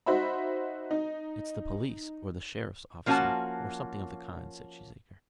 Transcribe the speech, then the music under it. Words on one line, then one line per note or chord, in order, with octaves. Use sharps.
"It's the police, or the sheriff's officer, or something of the kind," said Cheesacre.
D#4 F#4 C5 E5 B5
D#4
F3 A#3 C#4 F#4 F#5 A5